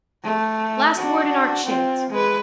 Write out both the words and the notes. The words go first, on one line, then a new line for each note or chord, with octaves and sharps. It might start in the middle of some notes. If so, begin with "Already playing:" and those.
Last word in art shades.
A3
D4 F#4
C4 F4
G#3 B4